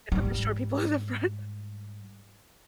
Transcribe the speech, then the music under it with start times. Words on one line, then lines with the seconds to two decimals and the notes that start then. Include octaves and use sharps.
They put the short people in the front.
0.12 G#2 G3